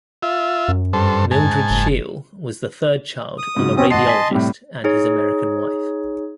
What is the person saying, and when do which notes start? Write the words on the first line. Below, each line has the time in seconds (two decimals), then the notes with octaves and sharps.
Mildred Scheel was the third child of a radiologist and his American wife.
0.23 F4 E5
0.68 F#2
0.93 G2 A4 C5
1.31 G#2 G#5 A5
1.70 F#1
3.38 D#6
3.56 G#2 C#3 F#3
3.77 E2 C4 C#4 D#6
3.90 G#1 D#5 F#5 A5 C6 C7
4.07 G#5 B6
4.31 A2 C3 G3
4.84 D#4 G#4 C#5